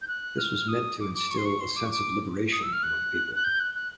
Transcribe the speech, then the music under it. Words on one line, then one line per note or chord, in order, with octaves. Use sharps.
This was meant to instill a sense of Liberation among people.
G6
F#6
F6
D#6
D6
D6
C#6
C6
C#6
C6
D6
C#6
D6
D#6
E6
F6
F#6
F#6
G6
F#6
F#6